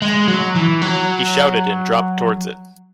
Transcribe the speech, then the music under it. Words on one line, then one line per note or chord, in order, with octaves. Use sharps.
He shouted and dropped towards it.
G#3
F#3
E3
F#3